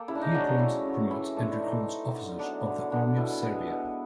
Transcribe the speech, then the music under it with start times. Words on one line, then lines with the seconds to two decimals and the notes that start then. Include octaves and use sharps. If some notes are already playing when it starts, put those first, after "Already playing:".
He appoints, promotes and recalls officers of the Army of Serbia.
Already playing: A#3 G4 A4
0.08 C#3 E4
0.15 D4
0.21 D#4
0.34 F#3 A3 C#4 D4
0.47 D#4
0.59 C#3 E4
0.85 F#3 A3 C#4
1.11 E3 E4
1.37 A3 C4 D4
1.52 E4
1.62 E3 D#4
1.88 A3 C4
2.13 D3
2.39 F#3 B3 D4
2.66 D3
2.90 F#3 B3 D4
3.17 B2 E4
3.42 G#3 B3
3.67 B2